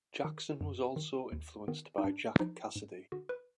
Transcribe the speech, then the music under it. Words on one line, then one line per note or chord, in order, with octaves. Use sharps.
Jackson was also influenced by Jack Casady.
D#3
F#2
D#3
D#2
D#3 B3
D#4
G#2 D4
F3 D#4
G#2
D3 F#4
B4